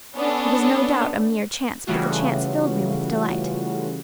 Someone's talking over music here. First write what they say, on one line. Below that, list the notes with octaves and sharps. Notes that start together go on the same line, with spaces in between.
It was no doubt a mere chance, but the chance filled me with delight.
B3 C#4 D4 A4
C#3 E3 G3 A3 F4 F#4